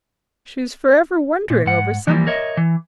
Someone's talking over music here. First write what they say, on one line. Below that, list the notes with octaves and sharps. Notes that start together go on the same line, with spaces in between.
She was forever wondering over something.
A#2
G#2 F#5
E3 F3 G3 A#3
A#4 C#5 D#5 E5
E3